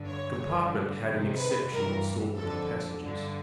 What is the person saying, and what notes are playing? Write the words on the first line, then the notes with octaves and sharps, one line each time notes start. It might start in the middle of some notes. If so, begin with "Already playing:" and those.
The compartment had an exceptional assortment of passengers.
Already playing: G2 D3
C#5
G2 D3
F2 C3 D#3
B4
G2 E3 A#4
F2 D3 A4
G2 D3